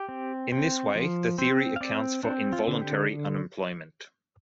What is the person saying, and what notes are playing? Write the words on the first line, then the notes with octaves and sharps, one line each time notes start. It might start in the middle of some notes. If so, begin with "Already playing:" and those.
In this way, the theory accounts for involuntary unemployment.
Already playing: G4
C4
C4
F3
C4 C5
F5
C4 D5
C4 D4
F4
D3
G4